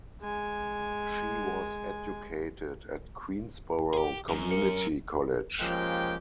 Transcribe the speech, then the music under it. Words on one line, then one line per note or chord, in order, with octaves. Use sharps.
She was educated at Queensborough Community College.
G#3 G#5
G4 G#4
F#2
A#4 C#7
F3 G#3 A#3 C#4 G4 G5